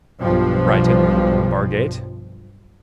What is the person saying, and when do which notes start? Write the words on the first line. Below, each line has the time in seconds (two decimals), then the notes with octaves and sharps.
Brighton, Margate.
0.22 B1 G2 F3